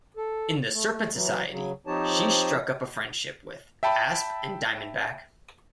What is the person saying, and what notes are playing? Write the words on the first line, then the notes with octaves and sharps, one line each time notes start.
In the Serpent Society she struck up a friendship with Asp and Diamondback.
A4
A3
E3 F#3
C#3 F#3
F3 C4 D#4 G4 C#5 A5
E5 G5 A5 B5